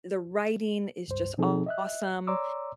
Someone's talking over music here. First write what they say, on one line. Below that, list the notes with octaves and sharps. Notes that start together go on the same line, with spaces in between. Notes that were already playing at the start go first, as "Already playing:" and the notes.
the writing is just awesome,
C#2 G2 C5
B2 F3 C4 D#4 G#4 A4
D#5 E5 F#6
C#5 D5 A#5 C6 D6 E6